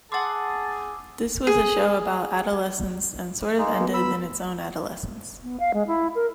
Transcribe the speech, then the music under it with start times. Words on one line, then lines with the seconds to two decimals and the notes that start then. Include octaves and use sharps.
This was a show about adolescence and sort of ended in its own adolescence.
0.12 G#4 F#5 A5 C6 D6 E6 A6
1.47 G#4
3.58 G#3 A#3 D#4
3.81 F#3 B3
3.94 B5 E6
5.43 B3
5.60 F5
5.74 G#3
5.87 E4
6.15 A#4